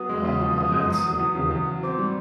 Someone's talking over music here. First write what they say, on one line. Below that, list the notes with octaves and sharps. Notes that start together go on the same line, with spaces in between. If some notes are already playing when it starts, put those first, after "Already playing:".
oh, that's so cool.
Already playing: F#3 B3 D#6
G#3
C#3
F3
B3
G#3
E2
F#3
E2
C#3
E2
F#3
C4 D6
G3